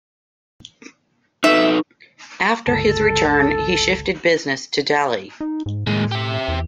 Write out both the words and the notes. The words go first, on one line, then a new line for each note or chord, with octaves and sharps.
After his return he shifted business to Delhi.
D#4 A4 B4 E5
G1 C#2 A4 A5
D#4
G#2
D#2 A2 G#3
G4 E5
E2